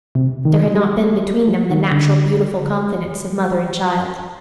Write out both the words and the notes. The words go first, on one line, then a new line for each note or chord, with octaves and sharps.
There had not been between them the natural beautiful confidence of mother and child.
C3
D#3
G3
A3
G3
F3
D#3
D3